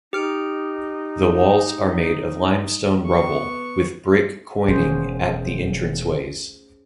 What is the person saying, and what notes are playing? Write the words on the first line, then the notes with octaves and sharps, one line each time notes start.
The walls are made of limestone rubble with brick quoining at the entrance ways.
D#4 G4 F6 D7
B3 C#6
E1 C#4 G#4 C5